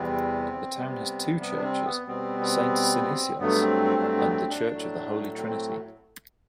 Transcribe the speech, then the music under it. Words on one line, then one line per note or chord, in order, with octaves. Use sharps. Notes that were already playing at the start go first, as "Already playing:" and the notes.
The town has two churches: Saint Synesios and the church of the Holy Trinity.
Already playing: E2 C3 G3 B3 C4
C3 G3 B3
B3
D4
C4
B3
B2 G3 B3 C4
C4
G2 F#3 A3 B3
C4
C4
D4
C4
B3
C4
D4
A2 F#3 A3
C4